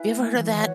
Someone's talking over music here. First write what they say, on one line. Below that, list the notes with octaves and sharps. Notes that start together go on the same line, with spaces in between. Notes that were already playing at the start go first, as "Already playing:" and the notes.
you ever heard of that
Already playing: E4 B4 E5 G#5
A3
E3
E3 F#4 C#5 F#5